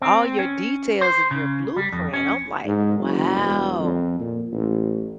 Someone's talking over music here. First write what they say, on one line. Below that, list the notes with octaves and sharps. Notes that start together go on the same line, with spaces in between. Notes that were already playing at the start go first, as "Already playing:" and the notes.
All your details of your blueprint. I'm like, "Wow."
C4
C#4
C5
C#3
G3
F2
C#4
G#2
F#1
E1
F2
A#2
A1